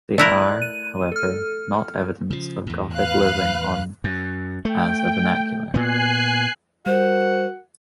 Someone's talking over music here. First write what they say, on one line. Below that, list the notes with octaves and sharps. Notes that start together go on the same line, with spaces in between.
They are, however, not evidence of Gothic living on as a vernacular.
A3 E4 A#4 D5 F#6
D#7
A4 F6
C#3 F3
E2 A2
B4 F5 F#6
F#2
A3 G5
A#2 B3 G#5 F#6 C7
G3 F#4 A#4 C5 F#5